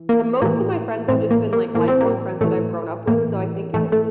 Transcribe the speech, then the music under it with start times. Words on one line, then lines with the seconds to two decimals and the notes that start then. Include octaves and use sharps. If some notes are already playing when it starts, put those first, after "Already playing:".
uh, most of my friends have just been, like, lifelong friends that I've grown up with, so I think it
Already playing: E3
0.09 A#3
0.42 A2 E3 A#3
1.08 A2 E3 C4
1.30 A#3
1.53 A#3
1.75 A2 E3 A#3
1.88 C4
2.01 A#3
2.41 A2 E3 A3
3.07 A2 E3 A#3
3.74 A2 E3 A3
3.92 A3